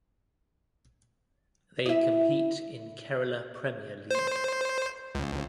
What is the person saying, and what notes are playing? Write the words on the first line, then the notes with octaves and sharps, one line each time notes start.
They compete in Kerala Premier League.
E4 D#5 E5
C5
C#2